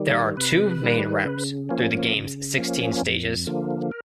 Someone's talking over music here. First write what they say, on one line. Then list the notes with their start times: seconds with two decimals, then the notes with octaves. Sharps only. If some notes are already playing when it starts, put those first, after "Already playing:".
There are two main routes through the game's sixteen stages.
Already playing: D#3 G3
0.37 C3 B4
0.81 D#3 G3
1.25 C#3
1.69 F3 A#3 C#4
2.14 C#3
2.58 F3 A#3 C#4
3.02 F2
3.47 D3 F3 A#3
3.92 A#4